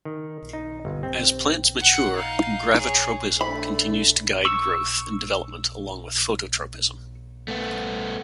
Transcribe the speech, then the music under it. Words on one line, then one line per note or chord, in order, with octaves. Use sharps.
As plants mature, gravitropism continues to guide growth and development along with phototropism.
D#3
D#4
G1
C4
F#5
D#4 F5
G#4 C#5
A3 D4 B5
C#6 E6
A3 B3